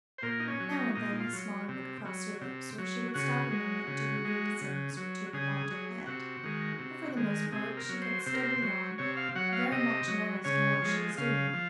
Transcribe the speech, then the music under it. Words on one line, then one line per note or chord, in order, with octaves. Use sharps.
Now and then a smile would cross her lips or she would stop a moment to reread a sentence or two and nod her head, but for the most part she kept steadily on, very much in earnest in what she was doing.
C5
A#2 A#4
D#4
C#4
F#3
D#4
A#2 D#4
F4
F#3
C3
F#3
C3
F#3
C#3 F#4
G#3
C#3
G#3
C#3
F#3
C#3 G#4
F#3
C3 F#4
D#3 G#3
C3
D#3 G#3
C3 G#4
A#4
F#3
C5
C3 C5
A#4
C5
F#3
C3 C#5
F5
F#3 F#5
F5
C3 D#5
F#3
C#3 C#5
F3 G#3
C#3 F5
F3